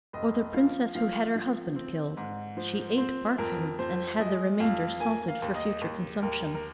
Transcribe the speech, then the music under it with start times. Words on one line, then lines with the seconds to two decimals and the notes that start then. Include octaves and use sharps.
Or the princess who had her husband killed; she ate part of him, and had the remainder salted for future consumption.
0.13 F1 D#5
0.54 F3 F5
0.95 F3 F5
1.36 F3
1.76 C4
2.17 G#2
2.57 F3 C5
2.98 C4 C5
3.38 F2 A#4
3.79 F2 C5
4.19 G#3 D#5
4.60 F2 F5
5.00 A#3 G#5
5.28 F5
5.42 D#2
5.55 D#5
5.81 D#2
6.22 D#2 A#4
6.55 A#4